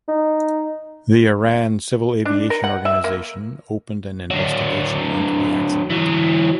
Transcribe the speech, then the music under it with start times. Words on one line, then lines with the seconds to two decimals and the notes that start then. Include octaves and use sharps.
The Iran Civil Aviation Organization opened an investigation into the accident.
0.09 D#4
2.25 D4
2.50 A#4
2.64 F#5
2.85 E5
3.04 A#3
4.31 D3 F#3
5.90 E3 F#3